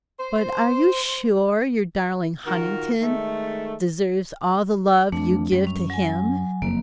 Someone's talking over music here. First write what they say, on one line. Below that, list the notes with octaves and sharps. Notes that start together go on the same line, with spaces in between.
But are you sure your darling Huntingdon deserves all the love you give to him?'
C5
D#3 F4 F#4 A#4
D#3 G#3 A3
F2 A3 D4
F#2 G3
C#4
F#3 G#5
F#1 F2 A#3